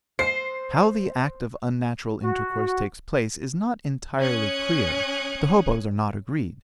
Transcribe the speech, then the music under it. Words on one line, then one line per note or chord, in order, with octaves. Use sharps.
How the act of unnatural intercourse takes place is not entirely clear; the hoboes are not agreed.
C5 C7
F#4
C#4 D#6 F#6 G#6 C#7